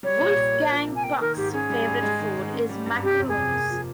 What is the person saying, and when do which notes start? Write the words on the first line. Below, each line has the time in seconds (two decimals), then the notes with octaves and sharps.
Wolfgang Puck's favorite food is macaroons.
0.03 G3 C#5
0.20 A#2
0.36 A#1
0.53 A#3
0.70 F3
0.87 C3
0.95 G#5
1.03 A#3 G5
1.20 D#3 A#4
1.36 G#2 G4
1.53 C#4 G#4
1.70 G3
1.86 G#2
2.03 G#3
2.19 D#3
2.37 G#2
2.53 C#4
2.69 G3
2.86 G2
3.03 C3 G4
3.20 F2
3.28 G#4
3.36 F1
3.53 A#3
3.69 F3